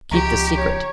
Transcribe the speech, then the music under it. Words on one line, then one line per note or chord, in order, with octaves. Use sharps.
Keep the secret.
C#2 F3 G4 A#5 C#6
C#5